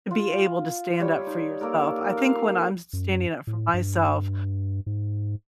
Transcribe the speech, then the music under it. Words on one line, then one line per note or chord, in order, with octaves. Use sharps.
to be able to stand up for yourself. I think when I'm s standing up for myself,
F4
G3 C#5
D#4
A#3 A4 A#4
F5
F#2
A2
G2
G#2